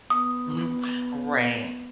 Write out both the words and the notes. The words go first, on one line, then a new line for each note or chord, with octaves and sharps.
Mhm, right.
B3 D#6